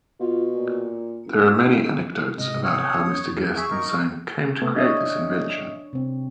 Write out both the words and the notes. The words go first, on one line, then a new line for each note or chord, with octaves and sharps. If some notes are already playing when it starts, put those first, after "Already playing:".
There are many anecdotes about how Mr. Gerstenzang came to create this invention.
B2 F4
A#2
F#1
D#4
G#2 C3 G#3 D#5
C#5 D#6
C#4
E2
G#4 E5 C#6
D#4 A#4
C3 A3 B3
D4 C#5 D#5 E5 D#6
C3 C4